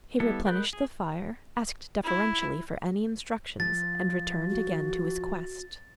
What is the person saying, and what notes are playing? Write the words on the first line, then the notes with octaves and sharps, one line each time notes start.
He replenished the fire, asked deferentially for any instructions and returned again to his quest.
G3 B3 E4 A4
G#3 A#4 B5 F#6 G6
G#4
E4
F3 A6
F#4